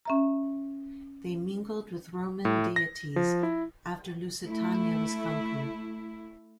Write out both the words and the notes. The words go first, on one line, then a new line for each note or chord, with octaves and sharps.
They mingled with Roman deities after Lusitania was conquered.
C#4 E5 A#5
A2
A#6
F3
E4
A3 E4